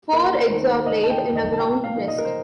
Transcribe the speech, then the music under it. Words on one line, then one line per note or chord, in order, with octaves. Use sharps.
Four eggs are laid in a ground nest.
D#2 A#4
A#4
C5
D#3 A3 D#4
D#2 D#5
A5
G5
D#3 A3 D#4
D#5
A5
A#2 G5
F5
F3 A#3 D#4
D#5
A#4
C5